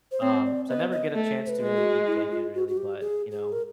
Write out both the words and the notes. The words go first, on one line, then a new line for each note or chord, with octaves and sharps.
Um, so I never get a chance to really eat bacon really, but, you know.
C5
C4 C#5
D5
B3 D#5
D#5
A3
C5
B4
G#3
F#4
E4
F4
F#4
F#4
G4
G#4
G#4
A#4